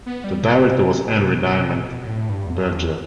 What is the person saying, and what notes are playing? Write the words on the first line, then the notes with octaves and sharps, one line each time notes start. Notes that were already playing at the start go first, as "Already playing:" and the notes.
The director was Henri Diamant-Berger.
B3
G3
B2
C3
B2
C3
A2
B2
B2
A2
G2
E2
F2
F2
E2